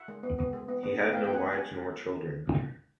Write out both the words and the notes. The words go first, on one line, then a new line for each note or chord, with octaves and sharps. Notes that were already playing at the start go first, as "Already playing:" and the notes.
He had no wives nor children.
Already playing: E5 F#5
G#3
B3
B3
G#3
B3
B3
D#4
B3 F5 G5
G5
B3
F#5 G#5
G#3
F#5 G#5